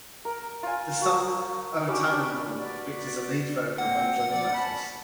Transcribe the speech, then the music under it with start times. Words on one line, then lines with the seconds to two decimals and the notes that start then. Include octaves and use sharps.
The song "O Tannenbaum" features a lead vocal by Johnny Mathis.
0.25 A#4
0.63 F4 G#5
1.01 F#4
1.88 G3 C#4 F#4 D6
2.07 D4 B4
2.59 F#4 B4 D5
3.78 A2 A#3 C4 F#5
4.31 F3 D5
4.54 C#4 A5 B5